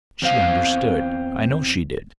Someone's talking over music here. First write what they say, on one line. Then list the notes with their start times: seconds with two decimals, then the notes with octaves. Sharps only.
She understood, I know she did.
0.22 E2 C4 F5